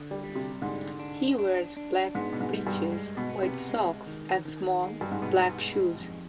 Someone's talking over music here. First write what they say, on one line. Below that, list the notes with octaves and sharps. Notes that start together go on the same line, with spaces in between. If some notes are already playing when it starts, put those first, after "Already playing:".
He wears black breeches, white socks and small, black shoes.
Already playing: D3
G3
G3
C3
G#2 D3
D4
D4
D4
G#2 B3
B2
G#2
G3
G2
G#3
B2
B3
C3
G#3
D#3
D#3
G#3
G2
G#2
B2 B3
G#3
F2